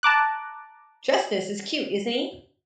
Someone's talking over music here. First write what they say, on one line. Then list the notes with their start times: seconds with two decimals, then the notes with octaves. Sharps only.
Justus is cute, isn't he?
0.03 A5 A#5 D6 F#6